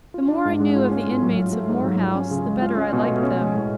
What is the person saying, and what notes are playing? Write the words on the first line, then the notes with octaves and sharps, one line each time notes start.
The more I knew of the inmates of Moor House, the better I liked them.
F4
D4
G#2
G#3
F4
C#4
A2
F#3
F4
A3
G#2
F#3
F4
C#4
C#3
G#3
F4
C#4
B2
A3
C#4
G#3
A2